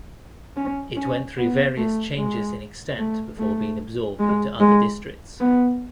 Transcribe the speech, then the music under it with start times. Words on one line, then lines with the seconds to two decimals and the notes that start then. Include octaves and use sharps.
It went through various changes in extent before being absorbed into other districts.
0.57 C#4
0.97 C#4
1.37 B3
1.77 A3
2.17 G#3
2.99 A3
3.39 A3
4.20 G#3
4.60 G#3
5.40 B3